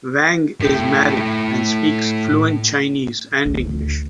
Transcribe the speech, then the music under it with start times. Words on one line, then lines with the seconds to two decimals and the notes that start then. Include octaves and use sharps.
Wang is married and speaks fluent Chinese and English.
0.60 A2 G5
3.46 D2